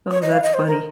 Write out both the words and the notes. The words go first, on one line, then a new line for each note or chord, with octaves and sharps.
Oh, that's funny.
C#5
D#5
F5
D#5
C5
A#4